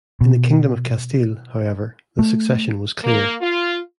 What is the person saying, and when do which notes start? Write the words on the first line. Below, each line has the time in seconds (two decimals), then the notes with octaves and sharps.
In the Kingdom of Castile, however, the succession was clear.
0.21 B2
2.19 A3
3.04 A#3
3.41 F4